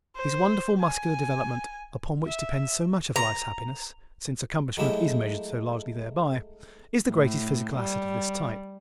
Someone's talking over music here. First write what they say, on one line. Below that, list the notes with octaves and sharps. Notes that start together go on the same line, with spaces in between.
His wonderful muscular development, upon which depends so much of life's happiness--since accomplishment is measured so largely thereby--is the greatest physical asset of this type.
C5
G#5
E5
A#5
F#3 G#3 A3 E4 G4
A2
G3